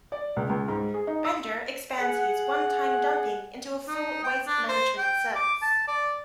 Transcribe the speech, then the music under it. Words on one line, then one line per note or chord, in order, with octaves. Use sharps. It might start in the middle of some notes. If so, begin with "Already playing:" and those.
Bender expands his one-time dumping into a full waste management service.
D5
C#2
C#2
G#2
G#4
D#4
E6
G#4 F#5
D#4
G5
D4
C5
G5
D6
A5
D5